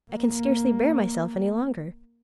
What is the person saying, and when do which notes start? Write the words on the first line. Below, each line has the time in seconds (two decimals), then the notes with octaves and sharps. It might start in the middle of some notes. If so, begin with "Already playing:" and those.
I can scarcely bear myself any longer.
0.12 A#3